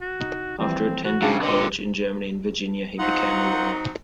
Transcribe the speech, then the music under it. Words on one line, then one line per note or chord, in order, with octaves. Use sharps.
After attending college in Germany and Virginia, he became a lawyer.
F#4
C2 D#4
E3 F3 G3 C4
F#4
G2 C#3 F#5 A5 D6
A#2 D3 B4 C#5 D#5 G5
F#3 C4 D#4 F4 F#5